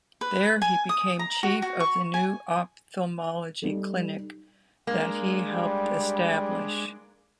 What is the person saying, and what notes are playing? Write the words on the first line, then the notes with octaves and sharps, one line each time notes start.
There he became chief of the new ophthalmology clinic that he helped establish.
B4
G#5
D#6
A#5
F#4
F#4
C#6
G#5
G3 D#4 A4
G#3 A#3 D4
G3